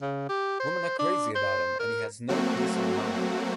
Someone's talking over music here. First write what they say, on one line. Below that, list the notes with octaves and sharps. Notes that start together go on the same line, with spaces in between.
Women are crazy about him, and he has no peace of mind.
C#3
G4
C5
D4
C5
A#4
F#3 A3 A#3 C4 F#4